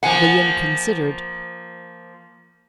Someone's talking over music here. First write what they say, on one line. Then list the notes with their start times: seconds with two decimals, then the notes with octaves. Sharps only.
William considered.
0.03 F3 A#3 F#5 G#5